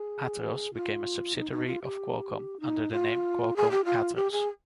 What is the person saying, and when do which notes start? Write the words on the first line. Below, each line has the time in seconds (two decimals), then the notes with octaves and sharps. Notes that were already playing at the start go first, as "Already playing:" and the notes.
Atheros became a subsidiary of Qualcomm under the name Qualcomm Atheros.
Already playing: G#4
0.74 F4
1.36 D#4
1.51 D#4
1.67 F4
1.83 G4
2.60 D#4
2.92 F4
3.56 G#4
3.71 G4
3.85 F4
4.15 G4
4.32 G#4